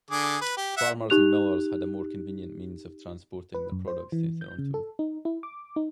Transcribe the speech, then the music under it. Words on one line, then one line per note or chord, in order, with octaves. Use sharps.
Farmers and millers had a more convenient means of transporting their products to Toronto.
D3 G#4 D6
B4
G4
E5 F#5
D#4 G4 F#6 F7
B4
F#2
C5
E3
G6
C#3
A4
D#4
E4
D6
D#4